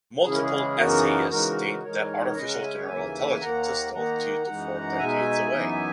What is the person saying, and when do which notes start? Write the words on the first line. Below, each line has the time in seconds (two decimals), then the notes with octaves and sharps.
Multiple essayists state that artificial general intelligence is still two to four decades away.
0.25 C#3 E3 G#3 C#4 E4 G#4
0.34 A#4
0.42 G#4
0.78 F#2 C#3 E3 B3 D#4 F#4 A#4
1.30 C#3 E3 G#3 D#4 F#4 A#4
1.83 G#2 E3 G#3 D#4 A#4 C#5
2.35 C#3 G#3 C#4 B4 D#5
2.49 F#5 A#5
2.62 E5 G#5
2.75 C#5 E5
2.88 D#2 C#3 E3 A#3 E5 G#5
3.40 D#2 D#3 A#3 F#5 A#5
3.93 D#3 A#3 D#4 F#5 A#5
4.46 F#2 E3 G#3 D#4
4.99 B2 G#3 D#4 E5 G#5
5.52 F#2 E3 B3 D#4